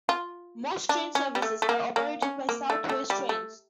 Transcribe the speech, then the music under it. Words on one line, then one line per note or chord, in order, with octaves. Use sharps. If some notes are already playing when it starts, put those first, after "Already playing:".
Most train services are operated by South West Trains.
F4
D4
C#4
G3
A3
A3
A#3
A#3
C#4
A#3
A3
A3
G3
A3